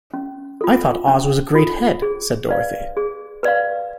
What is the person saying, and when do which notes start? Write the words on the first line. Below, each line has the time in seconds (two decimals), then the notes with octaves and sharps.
"I thought Oz was a great Head," said Dorothy.
0.14 C#4
0.61 F4 A4
1.08 C#4
1.55 F4 A4
2.02 G#4
2.49 B4 D5 F5
2.97 G#4
3.43 B4 D5 F5